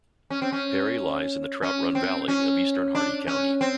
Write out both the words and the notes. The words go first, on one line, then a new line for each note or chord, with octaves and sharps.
Perry lies in the Trout Run Valley of eastern Hardy County.
C#4
C4
C#4
C#4
C4
C#4
D4
C#4
C4